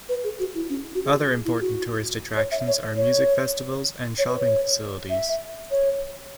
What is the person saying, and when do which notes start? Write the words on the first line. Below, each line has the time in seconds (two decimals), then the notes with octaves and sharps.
Other important tourist attractions are music festivals and shopping facilities.
0.09 B4
0.24 G#4
0.39 F#4
0.55 E4
0.70 C#4
0.95 F#4
1.05 G#4
1.45 E4
1.61 F#4
2.37 C#5
2.52 E5
2.67 C#5
2.97 C#5
4.18 C#5
4.29 B4
4.39 C#5
5.10 E5
5.71 C#5